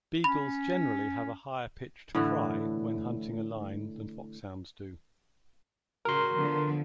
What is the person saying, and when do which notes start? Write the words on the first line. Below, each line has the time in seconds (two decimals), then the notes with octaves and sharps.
Beagles generally have a higher pitched "cry" when hunting a line than foxhounds do.
0.24 C#4 B5
2.15 A2 D3 E3
6.05 C#3 F#4 A#4 C6
6.35 D3 F3 B3